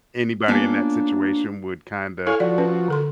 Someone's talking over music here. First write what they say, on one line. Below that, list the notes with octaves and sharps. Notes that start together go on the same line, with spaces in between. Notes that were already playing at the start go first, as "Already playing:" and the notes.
anybody in that situation would kinda
A#3 B3 C#4 D4 F4
E4 A4 C#5 F5 G#5
F3 F#4 D5
C#4 B4
D3 A4 C6